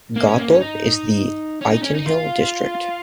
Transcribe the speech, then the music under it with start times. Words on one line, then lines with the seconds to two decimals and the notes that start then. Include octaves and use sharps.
Gawthorpe is in the Ightenhill district.
0.16 A#3
0.27 C#4
0.38 A#3
0.49 C#4
0.60 D#4
1.61 C#4
1.72 D#4
1.83 C#4
1.95 D#4
2.06 F4